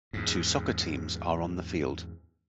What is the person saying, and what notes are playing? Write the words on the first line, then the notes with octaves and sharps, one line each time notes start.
Two soccer teams are on the field.
E2 G#2